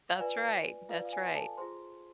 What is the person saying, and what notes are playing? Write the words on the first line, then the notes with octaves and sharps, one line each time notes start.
That's right, that's right.
F5
F4 B4 D5 G#5
F4 B4 D5 F5
F5
G#5
G#5
A4 A5
F4 G#4 C5 C6